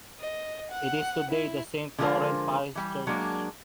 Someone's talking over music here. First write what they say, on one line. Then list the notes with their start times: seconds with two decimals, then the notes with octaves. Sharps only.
It is today the Saint-Laurent Parish Church.
0.20 D#5
0.71 F#5
1.31 E4
1.98 D3 F3 G#3 F4 A#4 C5
2.75 E3 G3
3.07 F#3 G#3 A#3 D4